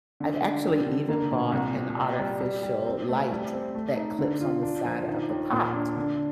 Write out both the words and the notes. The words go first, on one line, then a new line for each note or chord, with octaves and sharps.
I've actually even bought an artificial light that clips on the side of the pot,
D3
D3
G3
D3
A#3
A#2
C2
A#2
G3
G3
G3
G3
C4
A3
G3
C4
A3
D#4
D3
F4
D4
F3
D#3
D#2
A#2
D4
D3